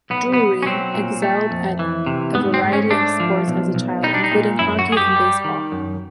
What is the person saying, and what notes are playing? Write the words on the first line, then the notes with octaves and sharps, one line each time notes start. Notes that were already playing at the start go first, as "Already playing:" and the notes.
Drury excelled at a variety of sports as a child, including hockey and baseball.
B1 B3
B3
B1
C#4
F#3 C4
A#2
A3
F2
E3
C3
G#2 B3
C4
G#2
C#4
A3 D4
F3
B1
B1
G3 D#4
D4
D#4
A#2
F#2 E4
F#4
F#2 G#4
G4
G3
D#3
F#2